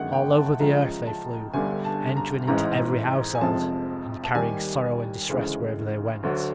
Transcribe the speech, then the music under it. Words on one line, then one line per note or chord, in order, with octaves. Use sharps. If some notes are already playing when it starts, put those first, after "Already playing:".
All over the earth they flew, entering into every household, and carrying sorrow and distress wherever they went.
Already playing: G1 F#2 D#3 G#3 F#5
G5
A5
C#2 C#3 F3 G#3 A#5
A5
G1 G2 D3 G3 G#5
A5
A#5
A1 G#2 E3 G#3 A#5
G#5
F1 F2 C3 F3 G#3 A5
A5
D#2 D#3 G3 G#5
D2 C#3 E3 G#3
D2 D3 F#3